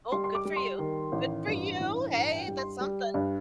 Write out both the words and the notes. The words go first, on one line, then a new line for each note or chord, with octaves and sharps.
Oh, good for you. Good for you! Hey, that's something.
G3 C6
C6
D6
G3
C6
D#3
A1
G2
A1
G2 A#5
A5
G5
G3
C6
G3
G2